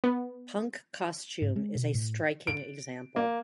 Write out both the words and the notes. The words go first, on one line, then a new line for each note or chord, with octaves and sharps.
Punk costume is a striking example.
B3
G#2
G#3
B2
A2
D7
A#3